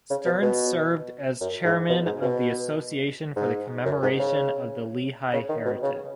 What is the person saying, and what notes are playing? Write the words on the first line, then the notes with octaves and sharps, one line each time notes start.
Stern served as chairman of the Association for the Commemoration of the Lehi Heritage.
C#3
B2
B2
F#2
G#2
B2
G#2
B2
G#2
F#2
G#2
C#3
C#3
D#3
B2
C#3